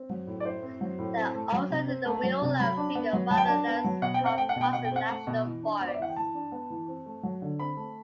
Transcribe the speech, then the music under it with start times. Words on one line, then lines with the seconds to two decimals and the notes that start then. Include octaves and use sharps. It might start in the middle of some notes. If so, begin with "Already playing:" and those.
They are also in the Wheeler Peak Wilderness of Carson National Forest.
Already playing: C4
0.10 F#3
0.27 A2
0.40 D5
0.45 E4 C5
0.63 C4
0.81 F#3
0.99 A2
1.17 C4
1.35 A3
1.52 F#3
1.70 C3
1.88 C4
2.06 A3
2.23 F#3
2.42 C3
2.60 F#3 B5
2.77 D4
2.95 B3
3.13 F#3
3.31 F#3 A5
3.37 G5
3.45 D4 A5
3.67 B3
3.84 F#3
4.02 B2 F#5
4.14 G5
4.20 C4
4.26 F#5
4.38 A3 G5
4.49 F#5
4.56 B2
4.61 G5
4.73 B2 F#5
4.85 G5
4.91 C4 F#5
5.09 A3
5.27 B2
5.45 E3
5.63 D4
5.81 B3
5.88 D5
5.95 E5
5.99 E3 F#5
6.10 G5
6.16 E3 A5
6.34 D4
6.52 B3
6.70 E3
6.88 C4
7.06 A3
7.23 F#3
7.42 D3
7.59 C4 B5
7.77 A3